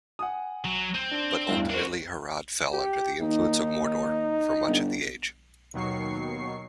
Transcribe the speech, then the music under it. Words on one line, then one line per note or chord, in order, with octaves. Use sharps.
But ultimately Harad fell under the influence of Mordor for much of the Age.
F#5 G#5 D#6
F#3
C4 D#7
D4
A1 E2 G2
D4 F#4 A#4 C5
G4
D#2 D#4
G1
D#2 B2 D#3 F#3 C#6 C7